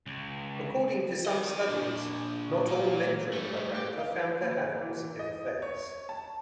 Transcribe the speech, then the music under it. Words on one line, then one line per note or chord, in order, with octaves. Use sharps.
According to some studies, not all mentoring programs are found to have positive effects.
C#2
A#4 D#5
A#2 D4
A#2 F4
G3 A3
G4
F5
F#1
E3
D#5
C#5
A5